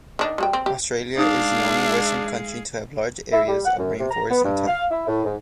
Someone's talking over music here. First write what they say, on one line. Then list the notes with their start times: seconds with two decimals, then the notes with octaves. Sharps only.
Australia is the only western country to have large areas of rainforest intact.
0.19 D#3 D4 D#4
0.38 G3 F#4 G5
0.53 C4
0.66 G4
1.18 G#3 D4 D#4 G#4 F5 D#6
3.32 E4
3.48 G3
3.65 F#5
3.78 F#2
3.99 C3
4.11 A#5
4.30 B3
4.44 G2
4.67 F5
4.91 E4
5.08 A2
5.25 G#2